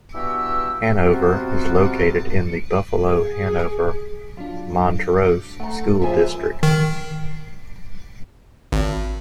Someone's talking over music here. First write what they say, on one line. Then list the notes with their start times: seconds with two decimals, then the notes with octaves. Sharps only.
Hanover is located in the Buffalo-Hanover-Montrose school district.
0.14 G2 E3 B3 F#4 G4 E6
1.03 C3 G3 B3 C4 F4 F#4
3.01 G#4
4.37 F#3 D4 F4
5.60 A3 F#5 A#5
6.01 F#2 F3 G#4 E5 G#5
6.63 D#3
8.72 G#1